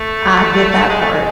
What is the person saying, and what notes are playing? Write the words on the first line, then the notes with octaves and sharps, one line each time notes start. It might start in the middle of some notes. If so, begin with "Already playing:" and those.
I get that part.
Already playing: A3
G#3
A3
G#3